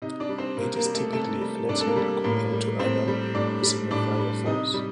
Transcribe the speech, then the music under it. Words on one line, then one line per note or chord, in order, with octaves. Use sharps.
It is typically flattened compared to other xenophyophores.
C3 D#4 D#5
D4 D5
G3
C4 C5
C3 A#3 A#4
A#3 A#4
G3
A3 A4
C3 A3 A4
G3
C3 D4 D5
A4
A#3 A#4
G3
A2 A#3 A#4
G3
A2 C4 C5
G3
A2 D4 D5
G3
A2 D4 D5
G3
C3 D#4 D#5
G3